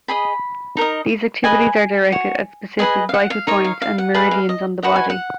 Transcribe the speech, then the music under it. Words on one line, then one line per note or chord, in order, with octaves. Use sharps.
These activities are directed at specific vital points and meridians on the body.
G#4 D#5 B5
D#4 A#4 D#5
G#4 B4 D#5 G#5
F#4 C#5
G#4 B4 D#5 G#5
F5
F#5
F5
D#4 A#4 C#5 D#5
F5
F5
F#5
G#4 B4 D#5 F5
F5
D#5
F#4 B4 D#5 F#5
G#5
F#5